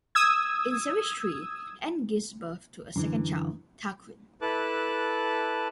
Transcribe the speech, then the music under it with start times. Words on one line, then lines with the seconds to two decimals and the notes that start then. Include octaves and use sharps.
In series three, Ann gives birth to a second child; Tarquin.
0.15 D#6 E6 G#6
2.96 F#2 D3 E3
4.42 E4 A4 B4 A5 D6 F#6